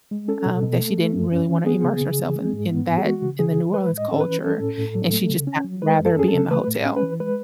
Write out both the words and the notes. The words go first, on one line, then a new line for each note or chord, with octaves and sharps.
um, that she didn't really wanna immerse herself in in that in the New Orleans culture, and she just had rather be in the hotel.
G#3
C#4 A4
B2
B2
A3
A3
F#2
C#4
E3
B3 G#4
C#3
C#3
E3
G#3
G#2
B3
E3
G#4
G#3 F#4
C#3
C#3 G#4
E3
G#3 B4
A2
D#5
C#4 A4
B4
E3
C#4 A4
A2
A2
F#3
A3
C#3
C#4
F#3
G#3 B4
F#2
A4
C#4 G#4
A4
C#3
A3 B4
A2
C#4
B4
E3
G#3 B4